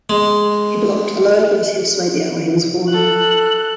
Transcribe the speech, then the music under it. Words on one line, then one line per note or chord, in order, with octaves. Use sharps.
He belonged to the lower nobility of Swabia, where he was born.
G#3
A4 F#6